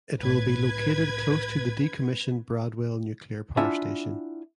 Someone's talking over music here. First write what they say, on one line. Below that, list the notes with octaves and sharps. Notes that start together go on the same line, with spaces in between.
It will be located close to the decommissioned Bradwell nuclear power station.
C2 A2 B4 G#6
D4 E4 F4 E5 F#5 G#5